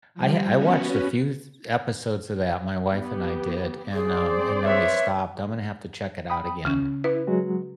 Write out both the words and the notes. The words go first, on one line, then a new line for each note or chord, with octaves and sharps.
I ha I watched a few th episodes of that, my wife and I did, and, um, and then we stopped. I'm gonna have to check it out again.
F3 G3
B3 C#4 F#4
B3 G4
C4 G#4 C5 D5
B4 C#5 E5
G5 B5 D#6
C#2 C#3 C#4
E4 B4
F#3 G#3 F#4